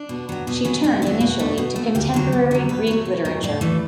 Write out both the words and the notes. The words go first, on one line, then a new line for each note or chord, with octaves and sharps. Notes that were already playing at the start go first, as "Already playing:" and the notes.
She turned initially to contemporary Greek literature.
Already playing: D4
B2
F#3 B3
B2
F#3 B3 C#4
B2 D4
F#3 B3 E4
B2 F#4
A3
B2
A3
D2 G4
D3 F#3
D2
D3 F#3
B2 B4
F#3 A3 C#5
B2
F#3 A3
A2 D5
E3 A3